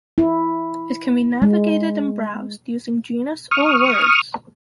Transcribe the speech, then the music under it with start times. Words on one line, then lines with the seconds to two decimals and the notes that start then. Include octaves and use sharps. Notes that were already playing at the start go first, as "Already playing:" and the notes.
It can be navigated and browsed using genus or words.
0.18 E4
1.42 G#3
3.51 C#6 D#6 F6